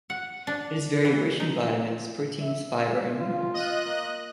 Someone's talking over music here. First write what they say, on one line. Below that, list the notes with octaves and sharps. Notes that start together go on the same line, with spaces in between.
It is very rich in vitamins, proteins, fibre, and minerals.
F#5
D4
E3
D#4
E5
F4
D#5 F#6
A#3